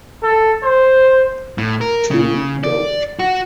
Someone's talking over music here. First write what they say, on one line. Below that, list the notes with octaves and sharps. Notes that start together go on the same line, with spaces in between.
Two don’t.
A4
C5
A2
A#4
C#3
D5
F#4